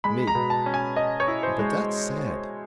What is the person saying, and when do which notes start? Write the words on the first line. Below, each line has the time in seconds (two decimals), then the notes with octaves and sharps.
ME: But that's sad.
0.04 G#3 B5
0.27 A#5
0.35 B2
0.50 A5
0.66 C#4
0.74 G#5
0.96 C#4 D#5
1.20 C#5
1.28 E4
1.43 C5
1.59 G#3